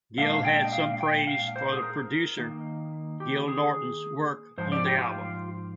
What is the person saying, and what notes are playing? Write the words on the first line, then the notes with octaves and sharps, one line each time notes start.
Gill had some praise for producer Gil Norton's work on the album.
A#2 G#3 D4 F5
F5
G5
D#5
F5
G5
F5
C5
G#4
A#4
D#3 A#3 D#4
G4
G#4
G#2 F3 C5
D5
G4
F4